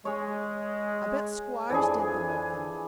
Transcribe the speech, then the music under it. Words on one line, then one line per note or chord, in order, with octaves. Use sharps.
I bet squires did the milkin'.
G#3 G#4 C#5
F2 E3 D4 G#4 G#5